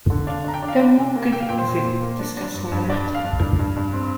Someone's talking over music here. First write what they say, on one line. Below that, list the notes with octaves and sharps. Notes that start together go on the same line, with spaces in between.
Then what good is it discussing the matter?
D3
D4 F5
D4 A#5
G5
D4
F5
D4 G5
C3
A#3
A#3 G5
F5
A#2 G5
C5
A#2
A#2
A#3
D4
D4
G2
G2
D4 D5
G2
F5
D4
G2
G2
G2
C4